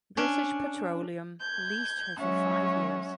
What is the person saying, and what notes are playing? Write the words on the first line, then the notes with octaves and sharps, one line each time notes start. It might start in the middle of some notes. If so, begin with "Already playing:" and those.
British Petroleum leased her for five years.
C#4 D4
G6 G#6
F#3 G#3 C#4 C#5 E5 F#5